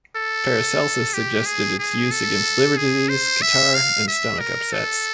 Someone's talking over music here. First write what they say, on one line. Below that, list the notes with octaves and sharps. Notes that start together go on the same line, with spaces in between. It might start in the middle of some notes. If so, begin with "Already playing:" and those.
Paracelsus suggested its use against liver disease, catarrh and stomach upsets.
A4
G4
G#4
G#4
A4
G#4
C5
E5
F5
E5
A#4
A4